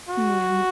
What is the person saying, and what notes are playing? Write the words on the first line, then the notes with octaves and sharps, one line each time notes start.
Yeah, me
F#4